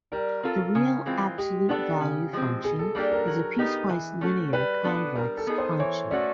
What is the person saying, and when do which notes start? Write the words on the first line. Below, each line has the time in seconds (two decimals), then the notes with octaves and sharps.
The real absolute value function is a piecewise linear, convex function.
0.12 G3 A#4
0.43 C4 F4 A4
0.75 C#3
1.06 E3 G#3 C4 F4
1.38 G#3 G4
1.69 B3 D4 F4 A4
2.00 C#3
2.33 F3 G#3 C4
2.63 B2 G#4
2.79 A4
2.95 G3 A#3 D4 G4 A4
3.12 A#4
3.27 F#3
3.58 B3 D#4 G4
3.89 E3
4.21 A3 C#4 F#4 A4
4.53 G3 B4
4.84 B3 D4 F#4 A4
5.15 G3 A#4
5.37 A4
5.47 B3 D#4 G#4
5.58 C5
5.79 E3 C#5
6.11 A3 C#4 F#4 A4 D5